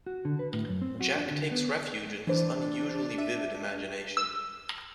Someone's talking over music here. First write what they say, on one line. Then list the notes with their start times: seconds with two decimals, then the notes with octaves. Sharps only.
Jack takes refuge in his unusually vivid imagination.
0.06 F#4
0.25 D3
0.39 B4
0.53 A2
0.68 F#2
0.81 C4
1.00 F#4
1.16 D4
1.31 D3
1.51 B3
2.27 E3 D4 C5
3.18 E5 D#7
4.17 E6